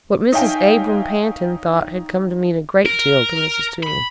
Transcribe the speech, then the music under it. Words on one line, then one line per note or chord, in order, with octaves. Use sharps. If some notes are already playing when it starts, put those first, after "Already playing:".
What Mrs. Abram Pantin thought had come to mean a great deal to Mrs. Toomey.
D#4 C#5 E5 F5 G5 G#5
A#4
B5